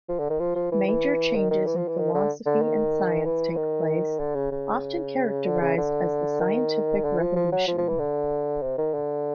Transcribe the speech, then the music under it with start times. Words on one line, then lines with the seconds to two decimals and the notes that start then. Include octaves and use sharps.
Major changes in philosophy and science take place, often characterized as the Scientific revolution.
0.09 F3
0.19 D3
0.30 D#3
0.40 F3
0.55 F3
0.72 E3
0.87 E3
1.35 D#3
1.51 D#3
1.66 E3
1.77 F3
1.88 E3
1.98 D#3
2.14 D3
2.46 D3
2.61 D#3
3.25 E3
3.56 D#3
4.19 D3
4.35 C#3
4.51 C#3
5.46 D3
5.61 C#3
5.77 D3
6.41 D#3
7.04 D3
7.19 F3
7.36 F3
7.52 F#3
7.68 F3
7.78 F3
7.88 E3
7.99 D3
8.62 C3
8.78 D#3
8.94 D3